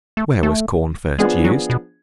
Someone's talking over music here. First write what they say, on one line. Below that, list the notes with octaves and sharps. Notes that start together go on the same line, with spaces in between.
Where was Corn first used?
A3
A3
F3 G#3 B3 D4 G#4
F#3
B2